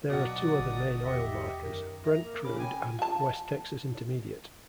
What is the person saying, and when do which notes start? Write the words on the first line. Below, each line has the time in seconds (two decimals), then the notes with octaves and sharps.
There are two other main oil markers: Brent Crude and West Texas Intermediate.
0.10 B2 F#3 D5 F#5 D#6
0.55 G#1 D3
1.04 E2 G4 D#5 E5 C#7
1.62 F#2 D#3 A#4
2.05 E5 A#5
2.24 A#3 A#4
2.44 C#3 C#4 B5 D6
2.59 G5 G#5
2.99 F4 A5